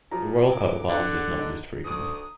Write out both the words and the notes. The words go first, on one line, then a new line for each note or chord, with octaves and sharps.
The royal coat of arms is not used frequently.
A#2 F3 F#3 A#5
F#2 D6
D3 F#5
D#4
D2 D#6